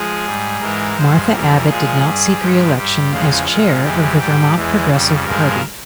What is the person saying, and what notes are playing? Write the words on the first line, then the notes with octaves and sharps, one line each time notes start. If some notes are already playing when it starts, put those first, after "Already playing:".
Martha Abbott did not seek reelection as chair of the Vermont Progressive Party.
Already playing: F3 G#3 G#4
G#2 G3
G#2 E3 G#3 A#4
G2 F3 G#3 C5
F2 E3 G3 A#4
A#2 F3 G#3 G#4
G2 G3
G2 F3 G#3 G4
G2 G3 G4
E2 C#3 F3 G#3 F4
A#2 G#3 F4
F2 E3 G#3 G4
G#2 G3 G4
E2 E3 G#3
F2 C#3 G3
G2 F3 G#3 A#4